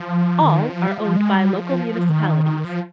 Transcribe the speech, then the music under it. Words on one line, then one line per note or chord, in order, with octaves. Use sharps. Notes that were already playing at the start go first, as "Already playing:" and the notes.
All are owned by local municipalities.
Already playing: F3
D#3
F3
G3
F3
G#3
G3
F3
D#3
F3